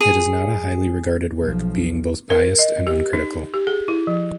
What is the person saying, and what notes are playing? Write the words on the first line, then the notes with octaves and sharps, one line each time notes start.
It is not a highly regarded work, being both biased and uncritical.
G#4
B1 F3
A#4
D#5
G4
D#4
G4
G#4
E4
F3